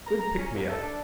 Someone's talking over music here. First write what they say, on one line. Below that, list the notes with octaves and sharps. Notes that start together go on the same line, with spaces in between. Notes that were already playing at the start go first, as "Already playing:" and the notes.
Good pick me up.
A#5
A#5
C#4
C2
A4
D4